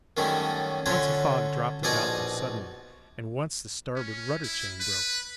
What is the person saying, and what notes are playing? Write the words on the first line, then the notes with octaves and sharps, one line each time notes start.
Once a fog dropped about them suddenly, and once the starboard rudder-chain broke.
F#2 D#3 G3 A3 C#4
D3 F#3 C#4 F4 C#5
A#1 B2 D#4 D5 G#5
C#4
E4
B4